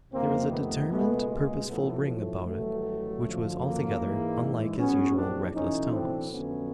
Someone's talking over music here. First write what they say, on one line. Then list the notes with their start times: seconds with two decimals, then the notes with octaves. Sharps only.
There was a determined, purposeful ring about it which was altogether unlike his usual reckless tones.
0.12 F2 C3 D#3 A#3 C4
0.51 A3 B3
0.90 C#2 B2 G#3 A3 B3
1.28 A#3
1.67 B1 A2 F3 A3 B3
2.06 A3
2.45 A1 G2 D#3 F#3 A3
3.22 F#2 D3 F3
3.60 A#3
3.99 G#2 E3 G#3
4.76 A#1 A2 F#3 B3 C#4
5.15 C4 D4
5.54 B1 A2 E3 C#4 D#4
5.93 C4 D4
6.31 F2 D3 F#3 A3 B3 C#4